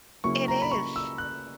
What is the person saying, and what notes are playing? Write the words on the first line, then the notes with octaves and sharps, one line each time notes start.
It is.
C#3 F#3 A#3 E4 C#6
A#5
B5
C#6
E6
F#6